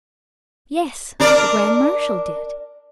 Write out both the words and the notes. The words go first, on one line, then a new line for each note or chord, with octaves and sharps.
"Yes; the grand marshal did."
D4 A#4 D5